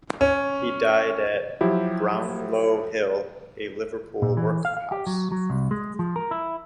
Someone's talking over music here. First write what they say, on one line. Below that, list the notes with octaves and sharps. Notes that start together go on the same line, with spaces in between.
He died at Brownlow Hill, a Liverpool workhouse.
C#4
F3 F#3 E4 G4
A#2
E3
F5
F5
G4
F#3
F#3
C2
G#3
F3
A#4
E4